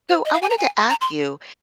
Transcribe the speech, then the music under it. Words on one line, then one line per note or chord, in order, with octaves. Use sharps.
So I wanted to ask you,
C5
D#5
F5
G#5
A#5
G#5
A#5
C6